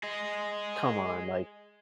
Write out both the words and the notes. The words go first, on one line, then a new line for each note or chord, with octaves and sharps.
come on, like
G#4 D#5